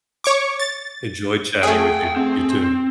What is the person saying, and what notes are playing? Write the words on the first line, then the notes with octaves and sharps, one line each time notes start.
Enjoy chatting with you. You too.
C#5 C#6 D6
A6
A3 G#4 F#5 G5
C4